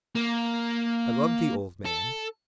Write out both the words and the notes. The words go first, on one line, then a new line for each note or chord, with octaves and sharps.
I loved the old man.
A#3
A4